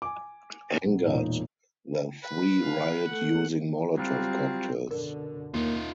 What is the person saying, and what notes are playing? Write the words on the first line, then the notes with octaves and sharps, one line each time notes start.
Angered, the three riot using Molotov cocktails.
G#5 D6
B1
E1 A#2 D#4
B4
F5
A3 F#5
F#3 G3 C4 F4
F#2 B2 D3 A#4
D#2 A#3 D#4 F4